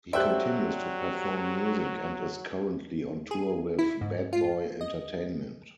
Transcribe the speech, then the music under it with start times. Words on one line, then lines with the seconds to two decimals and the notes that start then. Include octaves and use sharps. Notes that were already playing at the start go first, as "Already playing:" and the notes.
He continues to perform music and is currently on tour with Bad Boy Entertainment.
0.13 F#3 G4 A4 C5 D5 E5 G5 F#6
3.31 G#4
3.79 E4
4.01 G#2
4.33 F4
4.81 D#5